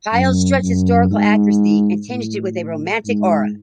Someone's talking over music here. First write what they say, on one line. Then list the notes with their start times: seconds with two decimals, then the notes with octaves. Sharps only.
Pyle stressed historical accuracy and tinged it with a romantic aura.
0.13 F#2
0.62 F#2
1.11 G#2
2.09 A2
3.06 G#2